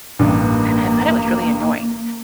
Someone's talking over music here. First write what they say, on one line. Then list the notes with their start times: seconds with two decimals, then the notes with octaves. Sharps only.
I I thought it was really annoying,
0.19 A1 G2 A#3